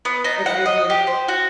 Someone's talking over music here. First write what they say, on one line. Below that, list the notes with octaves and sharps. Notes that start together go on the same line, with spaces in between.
and I just
B3
D#4
F#5
D#5
G4
C5
F#4